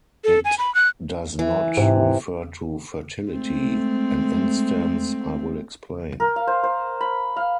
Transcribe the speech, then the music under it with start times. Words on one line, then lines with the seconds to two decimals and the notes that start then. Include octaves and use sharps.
It does not refer to fertility; an instance I will explain.
0.24 A4
0.45 G#5
0.58 B5
0.75 F#6
1.39 E3 E4
1.77 G#2 C3
3.31 G#3 A3 C4
6.20 A#4
6.36 F5
6.47 C5
6.63 C5
7.01 B5
7.36 F5